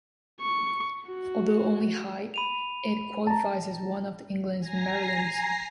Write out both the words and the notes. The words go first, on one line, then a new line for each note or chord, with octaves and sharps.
Although only high, it qualifies as one of England's Marilyns.
C#6
F#4
B5 D#7 F7
A5 A#5
G#5 A#5 A#6 C7